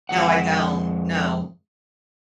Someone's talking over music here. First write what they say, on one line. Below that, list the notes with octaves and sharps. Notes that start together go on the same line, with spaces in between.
No, I don't, no,
F2 G3 G#3 F#5